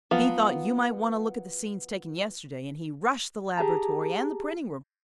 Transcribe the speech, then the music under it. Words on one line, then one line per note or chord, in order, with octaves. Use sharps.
He thought you might want to look at the scenes taken yesterday and he rushed the laboratory and the printing room.
F3 F#3 B3 F4
G4 G#4 A5 A#5